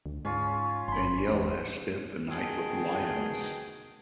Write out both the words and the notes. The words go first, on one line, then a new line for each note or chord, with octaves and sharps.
Danielle has spent the night with lions.
D2
G#2 C#4 F4
G1 B5 C6
E2
B2 D#3 G#4 G5 A5